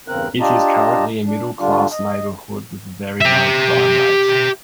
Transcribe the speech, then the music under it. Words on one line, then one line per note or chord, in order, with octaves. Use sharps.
It is currently a middle-class neighborhood with a very low crime rate.
E2 G2 C#3 C4 A#4 F#6
D4 F4 G4 D#5 A5 A#5
D4
D3 G3 D4 F4
D#5
G4 E5